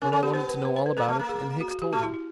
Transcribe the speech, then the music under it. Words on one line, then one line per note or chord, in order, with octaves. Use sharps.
The Colonel wanted to know all about it, and Hicks told him.
C#4 A#4
C#4 A4
B3 G4
B3 C5
B4
B4
C5
B4
A#3 A4
A3
A#3
G#4
F#4
F#4
G4
A3 F#4
E4
E4